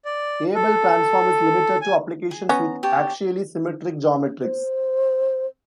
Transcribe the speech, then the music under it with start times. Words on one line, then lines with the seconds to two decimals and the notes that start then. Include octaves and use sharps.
Abel transform is limited to applications with axially symmetric geometries.
0.05 D5
0.55 A4
1.82 G#5
2.31 G#4
2.49 B3 C#4 A#5
2.83 G4 C#5 A5
4.42 C5